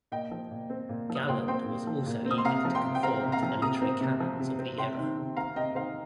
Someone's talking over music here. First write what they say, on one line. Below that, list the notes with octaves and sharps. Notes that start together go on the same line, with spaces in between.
Galland was also eager to conform to the literary canons of the era.
A#2 D#5 G5
F3
A#2
C4
A#2
F3
D#6
A#2 G5 C6
C4 G5 C6
A#2
F3
A#2
C4
D#6
C6
C3 F5 A#5
F3
G5 C6
C3
G5
C4 F5 A#5
C3
F5 A#5
F3
C3 A#5 D#6
C4
C3
F3
C3
C4
C3 G5 C6
D#3
C3
C4 F5 A#5
C3 D#5 G5
D#3 C5 F5